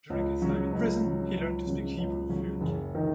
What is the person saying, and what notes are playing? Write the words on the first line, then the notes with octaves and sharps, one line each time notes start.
During his time in prison, he learned to speak Hebrew fluently.
C#2
C#3 F#3 C#4
C#2
C#3 F#3 C#4
C#2
C#3 F#3 C#4
C#2
C#3 F#3 C#4
F#1
D#3